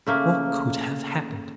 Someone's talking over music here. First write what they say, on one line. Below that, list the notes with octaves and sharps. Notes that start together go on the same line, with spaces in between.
What could have happened?
C#3 A3 A#3